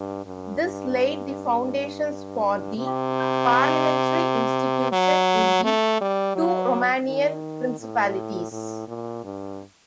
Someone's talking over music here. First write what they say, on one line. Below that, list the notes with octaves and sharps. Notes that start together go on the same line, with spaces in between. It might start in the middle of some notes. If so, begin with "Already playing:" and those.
This laid the foundations for the parliamentary institution in the two Romanian principalities.
Already playing: G2
F#2
G2
C3
F#3
A3
G3
F#3
D#3
A2
A2
A#2
G2